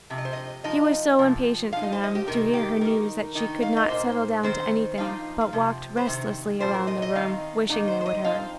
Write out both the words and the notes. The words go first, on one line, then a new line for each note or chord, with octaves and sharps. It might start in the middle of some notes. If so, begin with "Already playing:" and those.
She was so impatient for them to hear her news that she could not settle down to anything, but walked restlessly around the room, wishing they would hurry.
C3 F3
D#5
C5
D#5
F3 D#4 D#5
C3 F3
F3 D#4 F5
D#5
C5
D#5
G4
C3 D#3 A#3 D#4 A#4
G4
D#3 A#3 D#4 A#4
D#3 A#3 D#4
F5
D#5
A#2 A#3 D#4 C5
D#3 C4 D#4 C5
F3 A#3 D#4 F5
F5
C3 F3
C5
C3 D#3
A#2 F3 C4 D#4 C5
A#4
D#5
D#5
D#3 C4 D#4 F5
D#3 A#3 D#4 D#5
C5
C5
D#5
F3 C4 D#4 F5